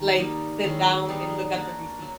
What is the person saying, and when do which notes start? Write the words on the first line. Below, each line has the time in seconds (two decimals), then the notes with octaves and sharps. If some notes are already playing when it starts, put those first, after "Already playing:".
like, sit down and look at the receipt.
Already playing: D#3
0.18 G3 A#3 D#4 G4
0.63 D#3 G#3 C#4 E4
1.09 G3 B3 D#4 G#4
1.56 A#3 D4 F#4
2.02 F#3